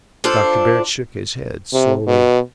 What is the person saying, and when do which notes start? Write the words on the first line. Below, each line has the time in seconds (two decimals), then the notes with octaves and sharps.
Dr. Bird shook his head slowly.
0.24 D4 F4 A4 C5
1.73 C3
2.08 B2